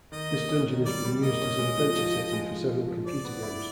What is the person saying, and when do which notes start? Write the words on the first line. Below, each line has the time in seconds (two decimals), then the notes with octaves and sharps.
This dungeon has been used as an adventure setting for several computer games.
0.12 D#3 D#5
0.31 A#3
0.49 C#4
0.68 D#3
0.85 G3 D5
1.05 G3
1.22 A#3 D#5
1.42 C#4
1.59 G#3
1.78 F3
1.96 F3
2.15 F3
2.33 G#3
2.51 F3
2.70 F3
2.88 F3
3.06 C5 D5
3.25 B3
3.43 E4